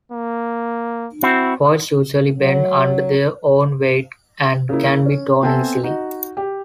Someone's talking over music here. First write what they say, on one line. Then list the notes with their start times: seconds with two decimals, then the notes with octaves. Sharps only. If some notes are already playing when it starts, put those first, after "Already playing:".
Foils usually bend under their own weight and can be torn easily.
0.12 A#3
1.23 C4 E4 F#4
2.38 F#3
4.69 C#3 A#3 E4
5.05 C#4
5.42 B3 C4 A4 E5 G#5 A5
5.83 D#4 F#4
6.37 G4